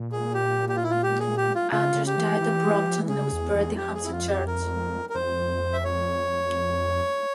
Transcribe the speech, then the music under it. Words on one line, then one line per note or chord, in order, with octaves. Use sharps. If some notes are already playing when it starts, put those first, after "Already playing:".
Andrews died at Brompton and was buried in Hampstead Church.
Already playing: A#2
G#4
G4
G4
F4
E4
F4
G4
G#4
G4
F4
C#3 F4
C#3
G4
E3
E3
F3
E3
C#3 G#4
E2
E2
F2 G4
G#4
E4
F4
G4
A#4
A#4
F2 C5
E5
C#5